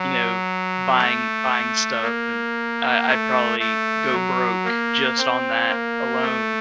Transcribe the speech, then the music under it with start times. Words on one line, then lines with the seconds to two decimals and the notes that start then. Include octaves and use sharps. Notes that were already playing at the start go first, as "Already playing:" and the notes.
you know, buying buying stuff and I I'd probably go broke just on that alone.
Already playing: F#3
0.98 A3
2.02 A#3
3.08 A3
3.59 A3
4.13 F#3
4.65 A#3
5.18 C4
5.69 A#3
6.22 A3